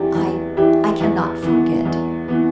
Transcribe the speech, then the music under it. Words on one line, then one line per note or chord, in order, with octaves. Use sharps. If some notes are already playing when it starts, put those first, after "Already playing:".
"I--I cannot forget."
Already playing: E2 E3 G3 E4 G4
E2
E3 G3 E4 G4
E2
E3 B3
E2
E3 B3